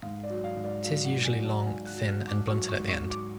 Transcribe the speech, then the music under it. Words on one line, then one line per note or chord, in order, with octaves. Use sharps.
It is usually long, thin, and blunted at the end.
G#2 F5
D5
F#3
F5
G#2
D5
F#3 F5
F#5
G#2
G#5
F#3
A5
F#5
G#2 G#5
F#6
F#3
F6
G#2
D6
F#3 C#6
C#6
G#2
C#6
F#3
D6